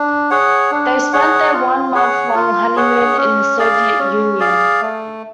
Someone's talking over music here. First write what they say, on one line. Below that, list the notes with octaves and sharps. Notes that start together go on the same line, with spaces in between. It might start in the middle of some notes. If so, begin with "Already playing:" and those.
They spent their one-month-long honeymoon in the Soviet Union.
Already playing: D4
G#4 C#5 F#5
D4
G#4 C#5 F#5
F4
G#4 C#5 F#5
F4
G#4 C#5 F#5
C#4
G#4 D5 F5
C#4
G#4 D5 F5
A3